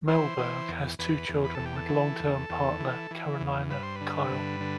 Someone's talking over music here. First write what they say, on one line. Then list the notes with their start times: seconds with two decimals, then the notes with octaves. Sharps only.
Mellberg has two children with long term partner Carolina Kihl.
0.08 E3 C5
0.38 E3
0.69 E2
0.99 E2 B4
1.29 E2
1.44 B4
1.55 E2 A4
1.65 G4
1.76 A4
1.89 E3
2.20 E2
2.49 E2
2.80 E3
3.11 E3
3.40 E2
3.70 G2 B4
3.83 C5
3.95 B4
4.01 D3
4.31 G2
4.60 D3